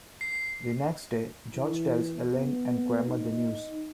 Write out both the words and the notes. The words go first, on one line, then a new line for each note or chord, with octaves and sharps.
The next day, George tells Elaine and Kramer the news.
C7
E3
B3
D#4